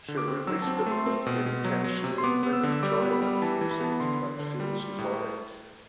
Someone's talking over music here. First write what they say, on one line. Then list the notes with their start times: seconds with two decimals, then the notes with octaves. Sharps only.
She released it with the intention of bringing "joy" and music that "feels euphoric".
0.08 D3
0.18 D6
0.28 C4
0.47 F#3 E6
0.62 C4 A5
0.77 A5
0.86 A3
0.91 C6
1.06 C4
1.26 B2
1.46 B2
1.65 F#3
1.84 F#3
2.04 C3
2.18 C6
2.24 B3 D6
2.43 B3
2.53 E6
2.63 D3
2.72 E6
2.83 G3 D6
3.02 B3
3.12 B5
3.22 G3
3.42 E3 A5
3.61 E3
3.71 B5
3.80 B3 A5
3.92 B5
4.00 D3 C6
4.21 D3
4.39 D3
4.60 G3
4.80 G3
4.98 A2